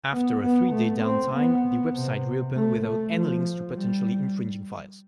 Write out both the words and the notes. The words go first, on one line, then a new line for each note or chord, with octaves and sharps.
After a three-day downtime, the website reopened without any links to potentially infringing files.
B3
B3
A3
C4
B3
C3
A3
A3
F3
G3